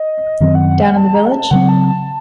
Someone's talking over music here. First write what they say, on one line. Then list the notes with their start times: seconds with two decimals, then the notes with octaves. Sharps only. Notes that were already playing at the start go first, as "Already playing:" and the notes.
Down in the village?
Already playing: D#5
0.40 F#2 D#3 F#3 C4 D#5
0.55 F#5
0.68 F#5
0.82 F#5
0.96 A5
1.14 A#5
1.25 F#5
1.32 A5
1.51 C#3 F#3 C4 F#5
1.69 A5
1.88 A5